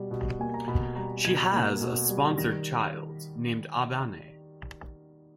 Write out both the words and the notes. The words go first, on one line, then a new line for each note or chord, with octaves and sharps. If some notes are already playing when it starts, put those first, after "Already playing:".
She has a sponsored child named Abanne.
Already playing: B2 G3
B2
A#3 G#5
A#5
B2 B5
G3 A#5
B2 G#6
A#3
B2
G3
D#3 A#6